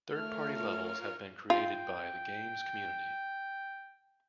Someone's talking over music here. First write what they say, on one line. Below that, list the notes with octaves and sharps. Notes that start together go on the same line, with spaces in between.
Third party levels have been created by the game's community.
A3 F4 A#4 C#5 F6
F4 G5